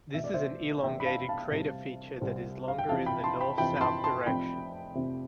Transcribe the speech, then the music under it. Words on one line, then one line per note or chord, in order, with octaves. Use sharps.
This is an elongated crater feature that is longer in the north-south direction.
F1 E2 B2 B3 E5
D5
C5 E5
F1 E2 B2 B3 E5 G5
B5
F5 A5
F5 A5
C2 C3 G3 C4
C2 C3 G3 C4
F5
G5
F2 C3 E3 F5 A5
G5 B5
A5 C6
G5 B5
F2 C3 E3 G5 B5
B5
A5 C6
A5 C6
F1 F2 C3 G5 B5
F1 F2 C3